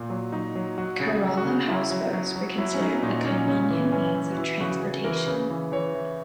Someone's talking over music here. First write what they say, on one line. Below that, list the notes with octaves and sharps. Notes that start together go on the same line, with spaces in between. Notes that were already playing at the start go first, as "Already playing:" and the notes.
Kerala houseboats were considered a convenient means of transportation.
Already playing: A#2
F#3
F#3 D#4
F#3
F#3 F#4
C#3
G#4
F#3
F#4
C#3
F#3 E4
F#3
F#3
F#3
F#3 E4
C#4
F#3 D#4
A#2 D#4
A#2 C#4
C#3 C#4
E3
E3 C#4
E3
F#4
E3 E4
C#3 F#4
C#3 G#4
E3 A#4
C#3 B4
E3
E3 C#5
E3